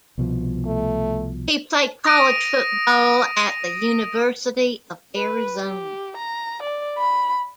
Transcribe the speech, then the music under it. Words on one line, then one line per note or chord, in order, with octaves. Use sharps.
He played college football at the University of Arizona.
C2 B2 F3
A3
D#6 A#6 D7 D#7
B4
G4
A#5
D5
B5